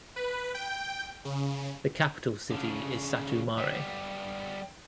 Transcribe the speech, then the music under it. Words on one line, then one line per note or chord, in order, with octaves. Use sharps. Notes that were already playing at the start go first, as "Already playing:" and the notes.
The capital city is Satu Mare.
B4
G5
C#3
C#3 D4
G3 B3